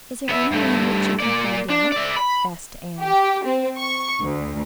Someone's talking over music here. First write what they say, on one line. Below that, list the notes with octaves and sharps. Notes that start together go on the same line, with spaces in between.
"Is there any way in which you can find out?" asked Anne.
B3 E5
G2 A3
A#3 D5
D4
D5 E5
B5
G4
C4
C#6
D2